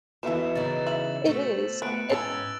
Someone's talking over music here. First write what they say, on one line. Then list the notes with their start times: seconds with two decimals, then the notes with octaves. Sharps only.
It is, and
0.23 B2 E3 F3 A3 E5 E7
0.55 C#3 E3 D#4 A6
0.87 E5 F#7
1.26 A3 C4 F#4
1.82 B3 B4 C#6 F#6 D7
2.09 G#2 E3 C#4 G5 A5 E6 A6 F7